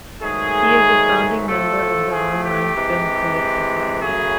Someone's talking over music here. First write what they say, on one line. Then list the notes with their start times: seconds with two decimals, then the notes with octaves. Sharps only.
He is a founding member of the Online Film Critics Society.
0.22 G#2 D#3 F#3 A3 G#4
1.48 A2 F3 A3 A4
2.11 G#4
2.43 G4
2.75 C3 E3 G#3
4.01 F#2 C#3 F#3 A3 G#4